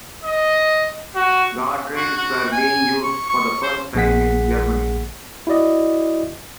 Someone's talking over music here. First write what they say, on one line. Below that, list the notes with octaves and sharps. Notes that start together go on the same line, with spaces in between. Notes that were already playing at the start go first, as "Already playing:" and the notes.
Guardrails were being used for the first time in Germany.
D#5
F#4
F#4
F#4
G#5
C#6
C#6
C5
A#1 A#3 G#4 F#5 B6
E4 F#4 D5 D#5